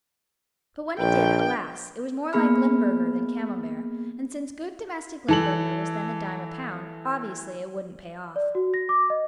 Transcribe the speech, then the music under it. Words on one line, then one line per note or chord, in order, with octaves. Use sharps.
But when it did, alas, it was more like Limburger than Camembert, and since good domestic Limburger was then a dime a pound, obviously it wouldn't pay off.
A#1 G5
A#3 B3 G#4 B5 F6
E3 A4 F#7
D5
F#4
A#6
D6
D#5